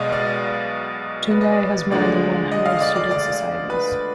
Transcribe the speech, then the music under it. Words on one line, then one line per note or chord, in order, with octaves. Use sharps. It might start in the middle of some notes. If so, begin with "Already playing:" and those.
Tunghai has more than one hundred student societies.
Already playing: B1 B2 G#3 D5 D#5 F5
D5
B4
D#5
D5
D5
D2 D3 F3 G#3 D5
D#5
F5
D#5
D5
D5
D5
B4